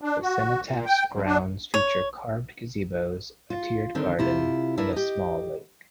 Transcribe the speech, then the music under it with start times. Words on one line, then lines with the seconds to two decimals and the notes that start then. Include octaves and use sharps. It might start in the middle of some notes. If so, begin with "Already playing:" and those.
The cenotaph's grounds feature carved gazebos, a tiered garden, and a small lake.
0.01 D4
0.22 F#4
0.68 A#2
0.86 G5
1.12 F#2
1.26 D4
1.74 C#5
3.50 F4
3.95 D3 D#3 C4
4.19 C3 E4 F4
4.78 D4 E4 A#4 B4
4.93 G4 D#5